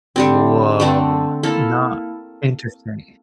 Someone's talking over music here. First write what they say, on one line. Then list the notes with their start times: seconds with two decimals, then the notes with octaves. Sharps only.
Woah. Not Interesting.
0.16 D3 G3 C4
0.80 D3 A3 C4
1.43 A#3 E4 A4